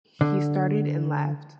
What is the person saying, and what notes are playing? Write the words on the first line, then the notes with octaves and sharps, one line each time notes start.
He started, and laughed.
D3